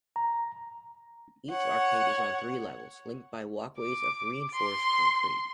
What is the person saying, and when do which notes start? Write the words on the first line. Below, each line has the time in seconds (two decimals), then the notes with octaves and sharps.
Each arcade is on three levels, linked by walkways of reinforced concrete.
0.16 A#5
1.51 C#5 F#5
3.78 D6
4.55 C6